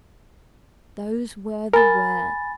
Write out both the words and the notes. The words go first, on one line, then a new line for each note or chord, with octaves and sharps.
Those were the words!
A#4 G#5 B5 A6